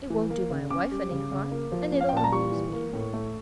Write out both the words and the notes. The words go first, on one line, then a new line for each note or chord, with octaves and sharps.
It won't do my wife any harm, and it'll amuse me.
E3
A#3
C#3
C#4 D6
G3
C#3
C#3
A#3
F3
C#4
F5
G5
A#2 A5
A#5
G3 C#6
E3
A#3
A2
A3